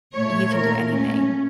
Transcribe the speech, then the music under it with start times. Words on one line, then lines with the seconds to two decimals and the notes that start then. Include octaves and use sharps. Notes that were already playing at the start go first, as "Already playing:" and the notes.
You can do anything,
0.15 A#2 A3 C#5
0.54 A#4
0.92 C#4